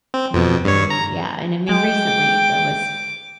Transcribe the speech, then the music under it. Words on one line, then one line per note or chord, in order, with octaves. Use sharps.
I agree, yeah, and I mean, recently there was
C4
F2 B2
G2 C#5
A#5
G#3 G5 D6